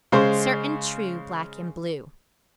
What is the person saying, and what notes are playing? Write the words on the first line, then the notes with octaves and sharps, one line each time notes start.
Certain, true, Black and blue.
C#3 G#3 G#4 C5 C6